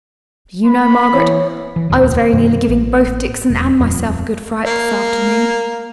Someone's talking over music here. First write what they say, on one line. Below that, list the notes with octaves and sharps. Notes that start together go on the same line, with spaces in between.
'Do you know, Margaret, I was very nearly giving both Dixon and myself a good fright this afternoon.
B5
E3 C#5
E3
E1 D2 A#2
F#2 B2 D#3
A1
E1
D#1 F2
A#3